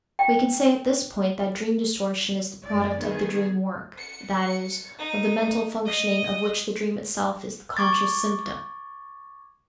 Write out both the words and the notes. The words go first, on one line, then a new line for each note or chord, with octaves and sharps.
We can say at this point that dream distortion is the product of the dream work, that is, of the mental functioning of which the dream itself is the conscious symptom.
G5
F#2 G#3 D5
D#3 B3 G#4
C#7
D#4
D#5
C#6 D6 G#6 A6